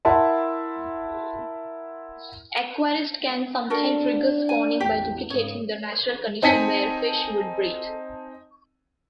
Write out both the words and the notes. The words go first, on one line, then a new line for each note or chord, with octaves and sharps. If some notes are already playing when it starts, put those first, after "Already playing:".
Aquarists can sometimes trigger spawning by duplicating the natural conditions where fish would breed.
E4 A#4 E5 F#5 A5 C6
D4 F#4 A4 A#4
G#5
A1 E2 G4
G#2 C#3 C#5
C4 D#4 G#5 A5 B6 C#7